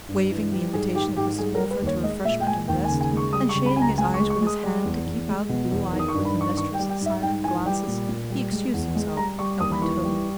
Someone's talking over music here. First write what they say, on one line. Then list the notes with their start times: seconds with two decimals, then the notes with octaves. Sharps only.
Waiving the invitation of Mrs. Morpher to refreshment and rest, and shading his eyes with his hand to keep out the blue-eyed Clytemnestra's siren glances, he excused himself, and went home.
0.08 G2
0.30 E3
0.52 G3
0.73 G#2 G#4
0.95 D#3 G4
1.16 G#2 G4
1.38 G3 G#4
1.55 A#4
1.60 G3
1.71 B4
1.82 D#2
1.87 C#5
2.03 G#3 D#5
2.25 A#2 E5
2.40 G5
2.47 G#3 G#5
2.68 D#2 G5
2.84 G#5
2.90 C#3
3.01 G#5
3.12 G#3
3.17 C#6
3.33 G3 D#6
3.49 C#6
3.55 C#3
3.66 B5
3.76 C#2 G#5
3.82 A#5
3.98 G#3 G#5
4.14 C#6
4.20 G#3
4.30 C#6
4.41 G#3
4.47 D#6
4.63 G3
4.84 E2
5.06 E2
5.28 G#3
5.49 B2
5.71 E2
5.92 D#3
5.99 D#6
6.08 C#6
6.14 G2
6.25 B5
6.36 D#3
6.41 C#6
6.57 D#3 C#6
6.74 G5
6.79 G3
6.89 G5
7.01 G#2
7.06 E5
7.22 G#2 G5
7.44 E3 G#5
7.66 G3 G5
7.87 A#2
8.09 A#2
8.30 G3
8.52 G#3
8.73 E2
8.95 G#3
9.17 G3 A#5
9.39 G3 C#6
9.60 D#2 D#6
9.72 B5
9.82 E3 C#6
10.04 G3